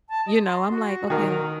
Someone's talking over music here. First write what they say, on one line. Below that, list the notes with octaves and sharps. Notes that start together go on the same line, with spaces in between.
You know, I'm like, "Okay."
A5
D#5
C6
F#4
D#3 A#4